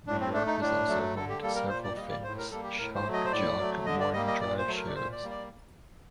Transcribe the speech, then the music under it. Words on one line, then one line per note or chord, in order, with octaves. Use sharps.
New York is also home to several famous "shock jock" morning drive shows.
A2 D4
C4
A3 D4
D#4
A2 D4
F#3 A3
D3 A4
G4
G3 A#3 A4
A#4
A#2 C5
D5
G3 A#3 D#5
D5
A2 C5
A#4
G3 A#3 A4
G4
A2 A#4
C5
F#3 A3
D#5
C5
A2 D5
F#3 A3
D3 D#5
D5
G3 A#3 D#5
D#5
A#2 D5
C5
F#3 A3
A#4
D5
A#2 C5
D5
G3 A#3
D5